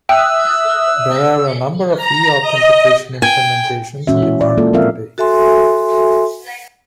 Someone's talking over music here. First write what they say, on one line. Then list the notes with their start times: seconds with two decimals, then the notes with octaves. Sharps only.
There are a number of eAuthentication implementations in the market today.
0.09 E5 G5 D#6 E6 F#6
1.97 A#5
2.41 D#5
3.22 G5 G#5
4.07 A#2 E3 G#3 C#4 F#4 E5
4.22 E4
4.41 D5
4.57 G#3 A#3 F4 A4
4.73 F3 C4 F4 A#4 E5 F5
5.18 F#4 A4 E5 G#5 C6